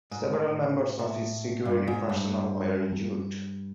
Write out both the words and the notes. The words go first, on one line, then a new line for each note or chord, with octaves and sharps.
Several members of his security personnel were injured.
G#2
A2
A2
G2
G#2
G2